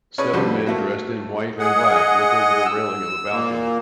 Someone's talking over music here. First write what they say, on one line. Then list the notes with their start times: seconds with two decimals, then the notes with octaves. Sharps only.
Seven men dressed in white and black look over the railing of a balcony.
0.18 C#4 G#4 B4 C#5 D5
0.33 F2 D3 F#3 G3 B4 C5
0.66 A3 A#3 F#4
1.59 G#4 D#5 F#5
2.66 E6
3.32 A#2 A#3